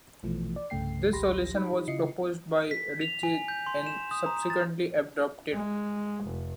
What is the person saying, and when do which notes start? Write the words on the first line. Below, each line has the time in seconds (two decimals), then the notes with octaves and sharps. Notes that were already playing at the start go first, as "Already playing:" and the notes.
This solution was proposed by Ritchie, and subsequently adopted.
0.23 A#1 B2 E3 F3 A3
0.56 D5
0.70 C2 G2 C#3 A3 G5 C7
1.12 A1 D2 G4 B5 C6 A#6
1.55 D#4 G4 B5
1.88 C#3 E4 F4 D#5 C7 C#7
2.71 B6
3.01 F7
3.23 G#5
3.48 G6
3.67 C6
3.87 E7
4.11 D#6
4.26 A#5
4.50 A6
5.52 G#3
6.24 F1